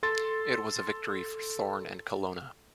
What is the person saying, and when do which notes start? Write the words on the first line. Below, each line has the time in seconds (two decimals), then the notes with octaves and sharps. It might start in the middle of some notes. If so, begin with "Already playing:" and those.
It was a victory for Thorn and Colonna.
0.03 A4 C6 A6